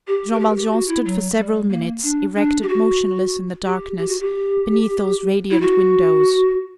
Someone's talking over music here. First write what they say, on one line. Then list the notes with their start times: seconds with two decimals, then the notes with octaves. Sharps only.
Jean Valjean stood for several minutes, erect and motionless in the darkness, beneath those radiant windows.
0.07 G4
0.33 A#4
0.40 G4
0.49 A#4
0.56 G4
0.72 F#4
0.88 E4
1.05 F#3
1.38 G3
1.69 A#3
2.03 D4
2.35 D4
2.63 G4
2.68 F#4
3.65 G4
3.97 G4
4.08 F#4
4.20 G4
5.51 E4
5.61 F#4